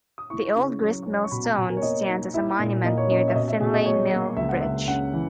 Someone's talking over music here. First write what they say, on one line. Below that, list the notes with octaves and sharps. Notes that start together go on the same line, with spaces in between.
The old grist-mill stone stands as a monument near the Finlay Mill bridge.
D#6
E4 C#6
C#3
F#3
C#4
C#6
B2 B5
A#5
B2 G#5
A#4
C#5
A#3 D#5
D#4
E4 E5
A#2
A#3 D#5
C#5
C#4 D#5
E5
B2 D#5
E5
B2 G#4
D#5
F#3 C#5
A#3
C#2 E5
F#5
C#2 E5
C#3 F#5
E3